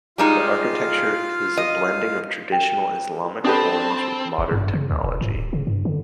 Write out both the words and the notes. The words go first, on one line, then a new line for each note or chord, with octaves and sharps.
The architecture is a blending of traditional Islamic forms with modern technology.
G3 G#3 D#4 F4 F5
D#5
G5
C4 D4 G4 A4 B4 A5 D#6
B5 C6
F#1
G2
C#3
D2
E1
G#2
D1
C#3
G2
D3